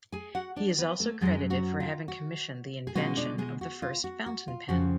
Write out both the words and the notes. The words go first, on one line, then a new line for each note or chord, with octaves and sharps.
He is also credited for having commissioned the invention of the first fountain pen.
G#4 G#5
F#4 F#5
D4 D5
B3 B4
A3 A4
F#2 D3 F#3 G#3 G#4
F#4
F4
F#4
G#4
B2 G#3 C#4 F4 F#4
D4 D5
G#3 G#4
F#4
F4
F#4
F#4
F4
F2 C#3 F3 F#4